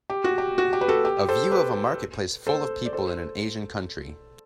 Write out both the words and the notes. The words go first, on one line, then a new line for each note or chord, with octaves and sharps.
A view of a marketplace full of people in an asian country.
G4
F#4
G4
F#4
G4
B4
F#4 A4
G4
A4 C5
G4 B4
A4 C5
D5
A4 C5